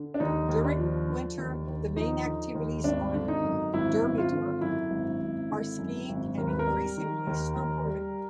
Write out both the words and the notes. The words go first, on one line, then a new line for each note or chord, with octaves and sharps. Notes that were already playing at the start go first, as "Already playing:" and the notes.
During winter, the main activities on Durmitor are skiing and, increasingly, snowboarding.
Already playing: D3
D4
D#2 D#4
D#2
D4
F3
D3
D#2
D#2
F3 D#4
D3
D#2
G#1 D4
D3
D#4
F#2
G#1 E4
G#1
F4
D3
F#2 E4
G#1
G#1
D3
F#2
G#1
D#2 A#4
B4
A#4
G3
D#3
D#2
D#2
G3